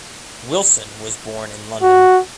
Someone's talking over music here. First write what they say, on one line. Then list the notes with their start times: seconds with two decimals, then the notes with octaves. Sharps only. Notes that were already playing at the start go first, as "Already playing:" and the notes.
Wilson was born in London.
1.83 F#4